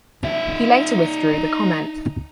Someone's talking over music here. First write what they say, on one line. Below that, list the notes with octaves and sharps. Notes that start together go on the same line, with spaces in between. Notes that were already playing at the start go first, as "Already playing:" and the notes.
He later withdrew the comment.
D#4 E5